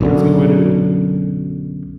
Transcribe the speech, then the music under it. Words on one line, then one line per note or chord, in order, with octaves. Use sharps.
That's a good way to do it.
B1 F#2 D3